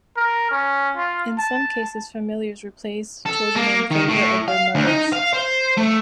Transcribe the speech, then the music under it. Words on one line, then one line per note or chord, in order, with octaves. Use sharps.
In some cases familiars replace children in the favour of their mothers.
A#4
C#4
F4
A5
A4
A#3
D#3
A2
F5
D2
D#4
F5
C5
A3